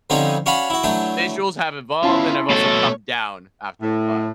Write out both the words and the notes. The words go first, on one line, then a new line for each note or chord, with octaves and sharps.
Visuals have evolved and have also come down after a while.
D3 F3 G3 C4 C#4 D#4
C#4 D4 F#4 F5 F#5 B5
E4 F#4
E3 F#3 A3 D4 G5
B3 C#4 E4 F4 A5 C6
B2 A3 A4 C#5
A2